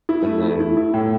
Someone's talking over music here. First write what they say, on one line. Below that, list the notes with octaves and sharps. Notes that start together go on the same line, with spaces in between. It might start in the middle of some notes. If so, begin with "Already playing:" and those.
And then
E4
A3
E4
E4
E4
A2